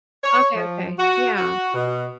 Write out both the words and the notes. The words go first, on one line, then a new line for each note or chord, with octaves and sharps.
Okay, okay, yeah.
C#5
F3
F#4
F#4
B2